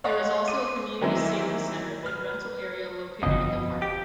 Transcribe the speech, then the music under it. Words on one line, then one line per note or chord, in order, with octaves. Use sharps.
There is also a community sailing center and rental area located in the park.
C#5 D#5 F5 F#5 C6 C#6
C6 D6 D#7
D#3 E3 F#3 A#3 C4 E4
B4 F6
G1 F2 B2 D#5
G4